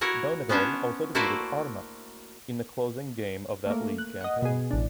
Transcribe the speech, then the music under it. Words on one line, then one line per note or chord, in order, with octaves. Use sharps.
Donegal also defeated Armagh in the closing game of that league campaign.
E4 F#4 A#4 C#5
B3 C#4 D4 C5 C#5
A3 A#3 E4 F#4 C5 D5
A3 A#3
F#6
D#5 F#5
B2 G#4
A1 D4